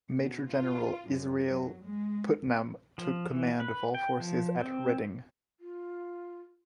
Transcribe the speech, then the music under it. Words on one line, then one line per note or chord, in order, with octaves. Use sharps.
Major General Israel Putnam took command of all forces at Redding.
B2
F4
F#2
F#3
G#3
F3
E3
B4
G5
F3
C4
F4